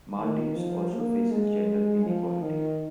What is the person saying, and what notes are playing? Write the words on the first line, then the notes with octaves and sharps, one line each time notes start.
Maldives also faces gender inequality.
D#3
F3
A#3
G#3
F3
D#3